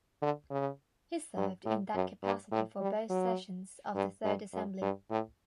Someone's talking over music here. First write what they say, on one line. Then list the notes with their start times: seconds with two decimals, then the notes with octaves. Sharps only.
He served in that capacity for both sessions of the Third Assembly.
0.22 D3
0.51 C#3
1.37 G2
1.66 A2
1.94 F#2
2.23 G2
2.52 A2
2.81 G3
3.09 F#3
3.95 G2
4.24 G2
4.53 F#2
4.81 G2
5.10 A2